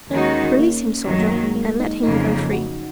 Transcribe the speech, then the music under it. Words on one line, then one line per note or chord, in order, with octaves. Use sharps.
"Release him, Soldier, and let him go free."
D#2 D#3 G#3 C#4 D#4 F#4
A#3
F#2 D#3 F#3
A#3
A#3
G#3
A#3
D#4
F2 C#3 F#3 A#3 D#4
F#4